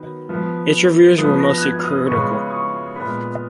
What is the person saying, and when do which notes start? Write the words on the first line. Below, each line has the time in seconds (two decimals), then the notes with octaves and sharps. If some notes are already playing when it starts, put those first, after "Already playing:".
Its reviews were mostly critical.
Already playing: D#3 F#3 B3
0.29 F3 B3
1.18 F3 B3 D#6
1.40 A#6
1.58 F#6
1.62 G#6
1.80 F6
1.85 D#6
2.07 C#3 G#3 B3 C#6
2.46 D#6
2.51 C#6
2.96 A#2 G#3 B3 B5